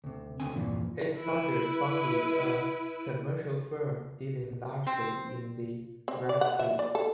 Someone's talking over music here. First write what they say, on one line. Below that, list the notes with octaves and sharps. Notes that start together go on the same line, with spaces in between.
His father founded a commercial firm dealing largely in the "rag trade".
D2 C3
D2 D3 C4 G#5
E2 G2 A#2 E3 F3
E4 B4
C4
C4
D5
F#5
E5
D5
A4